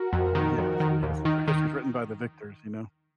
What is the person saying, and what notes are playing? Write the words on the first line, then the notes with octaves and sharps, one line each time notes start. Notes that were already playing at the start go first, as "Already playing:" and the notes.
Well, yes, yes, it's history is written by the victors, you know.
Already playing: F#4 A#4
F2
D#3
F2
D#3
D#2
D#3
D#3